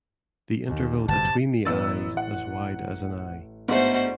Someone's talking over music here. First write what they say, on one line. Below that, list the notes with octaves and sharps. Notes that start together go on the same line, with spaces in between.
The interval between the eyes as wide as an eye.
D#2
G1 F#2 C3 A5
A1 B3 E6 A6
F#5
G#2 A3 B3 D4 F#4 C5 D6